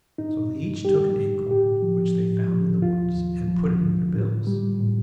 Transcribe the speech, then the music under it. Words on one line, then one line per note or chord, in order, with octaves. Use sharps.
So they each took an acorn which they found in the woods and put it in their bills.
G2 D#4
G2
G3 G4
D3
A2 G4
F3
A2
F3
D#2 F4
D#2
F3
D3
A2
G3
A2